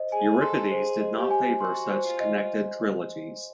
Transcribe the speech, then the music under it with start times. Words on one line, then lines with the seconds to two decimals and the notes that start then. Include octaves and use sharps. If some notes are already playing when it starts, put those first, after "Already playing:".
Euripides did not favor such connected trilogies.
Already playing: C5 D#5
0.12 G#4 G#5
0.41 A4 C6
0.72 G#4 C5
1.01 D#5
1.17 G4
1.31 G#5
1.60 F#4 C6
1.90 C5
2.06 F4
2.20 D#5